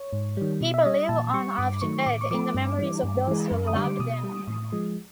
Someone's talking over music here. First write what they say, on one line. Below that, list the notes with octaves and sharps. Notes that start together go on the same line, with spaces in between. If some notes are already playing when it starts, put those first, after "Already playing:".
People live on after death in the memories of those who loved them.
Already playing: C#5
G#2
D#3 G3
B2
E5
G3 D#5
A#2 A5
G3 C#6
G2 D6
D#3 F#3 A3 C#6
A2 D6
C#6
F3 A3 D6
G2
E3 G3
G2
E3 G#3
F#2
D#6
D3 G3
D6
B2 D#6
G3
A2
F3 G#3